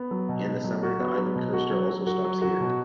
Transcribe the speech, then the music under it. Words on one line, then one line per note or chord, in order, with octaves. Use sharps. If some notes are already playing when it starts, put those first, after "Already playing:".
In the summer, the Island Coaster also stops here.
Already playing: B3
F#3
B2
B2
F#3
F#4
B3
F#3
B2
F#4
F#3
F#3
F#4
F#3
F#4
B2